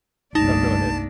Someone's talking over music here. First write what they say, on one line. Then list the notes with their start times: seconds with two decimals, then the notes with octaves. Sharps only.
Oh, go ahead.
0.35 G1 C2 A3 A#3 D4 D#4 A5